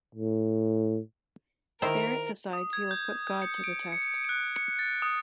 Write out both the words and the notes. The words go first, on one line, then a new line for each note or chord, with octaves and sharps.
Barrett decides he will put God to the test.
A2
D#3 E4 A#4 C5
D#6
G#6
G6
C#7
D7
C#7
F#6
C#7
A6
D#6